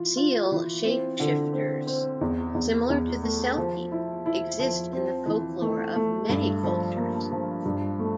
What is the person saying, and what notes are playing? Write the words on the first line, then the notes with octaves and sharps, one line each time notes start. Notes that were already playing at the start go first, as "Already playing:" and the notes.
Seal shapeshifters similar to the selkie exist in the folklore of many cultures.
Already playing: E3 F4
F4
E3
C4
D3
C4
C4
E2
E2
E2
A3
F3
E4
E4
F3
C4
E3
A3
A3
G2
F3
A#3
F3
G2
A3